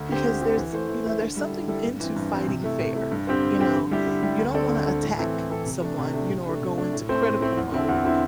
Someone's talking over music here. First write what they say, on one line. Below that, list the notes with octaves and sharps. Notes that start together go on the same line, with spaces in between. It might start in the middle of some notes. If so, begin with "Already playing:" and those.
Because there's you know, there's something into fighting fair, you know, you don't wanna attack someone, you know, or go into critical mode,
Already playing: D2
D3 C4 G4 C5
D2
D3 C4 G4 C5
E3
A3 E4 C5
E3
A3 E4 C5
D3
G3 E4 A4
D3
G3 E4 A4
G2
E3 C4
G2
E3 C4
C3
A3 E4
C3
A3 E4
G2
D3 C4 G4 C5
G2
D3 C4 G4 C5
D3
G3 E4 G4
D3
G3 E4 G4
D2
D3 C4 A4 D5
D2
D3 C4 A4 D5
A2
E3 C4 E4 A4
A2
E3 C4 E4 A4
C3
A3 D4
C3
A3 D4
C3
A3 D4
C3
A3 D4
A2
A3 C4 E4 C5
A2
A3 C4 E4 C5
E2
D3 C4 E4
E2
D3 C4 E4